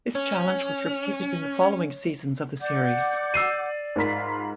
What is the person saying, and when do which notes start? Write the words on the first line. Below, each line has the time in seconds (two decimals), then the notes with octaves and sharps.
This challenge was repeated in the following seasons of the series.
0.15 C#4 C#5
2.61 D5 F#5 D6 G6
3.34 E6 C7 D#7
3.96 G#2 F4 A#4 B5 B6